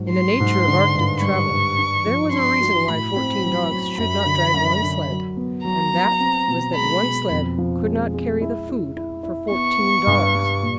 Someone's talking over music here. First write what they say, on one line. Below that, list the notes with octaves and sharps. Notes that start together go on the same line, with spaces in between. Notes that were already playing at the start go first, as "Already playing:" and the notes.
In the nature of Arctic travel there was a reason why fourteen dogs should not drag one sled, and that was that one sled could not carry the food for fourteen dogs.
Already playing: G#2 F#3
F#3 C6
G#2
D3
G2
G3 C#6
G2
D4
F3
D4 C6
F#4
A2 B5
C4
F#3
F#3
F#2 B5
D3
F#2
D3
F#3
B3
F#3 A#5
B3
C4
B2
G#3 B5
B2
F2
F3
G#3
G#3
E4
E4
E4
E4
B3 C#6
B3
G2
G3
A#2